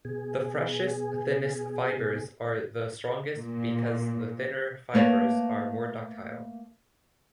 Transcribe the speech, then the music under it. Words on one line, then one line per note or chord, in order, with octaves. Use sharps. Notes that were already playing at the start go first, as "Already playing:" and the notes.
The freshest, thinnest fibers are the strongest because the thinner fibers are more ductile.
B2 G#4
A#2
A3 A#3 B4 C#5 A5